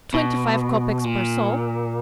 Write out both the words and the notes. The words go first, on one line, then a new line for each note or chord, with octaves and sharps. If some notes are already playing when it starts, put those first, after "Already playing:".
"Twenty-five kopecks per soul."
B2
A#2